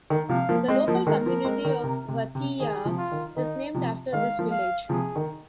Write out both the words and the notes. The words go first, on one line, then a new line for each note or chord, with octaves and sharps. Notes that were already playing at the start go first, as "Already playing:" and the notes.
The local community of Vatheia is named after this village.
D#3
C3 F3 F5
F3 A#3
G#3 C4 D#5
F3 A#3
D#3 G#3 A#4
F3 A#3
G#3 C4
D#3
C3
C3
C3
D#3 G#4
C3 F3
F4
D#3
D#3 D#4
C3 F3
D#3 G#3 F5
F3 A#3
F5
C3 F3 G#4
D#3